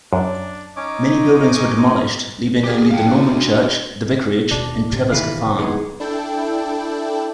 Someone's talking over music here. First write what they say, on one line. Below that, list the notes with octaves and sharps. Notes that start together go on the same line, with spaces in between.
Many buildings were demolished leaving only the Norman church, the Vicarage, and Trevisker Farm.
F#2 D4
C#4 D#4 C#5 D6
G4 G#4
F5 G5
D4 F#4
D#1 B2 D4
D#1 A1 C3
C3 D#3 E3 B4 F5
G#2 B3 G#4
D4 E4 A4 G5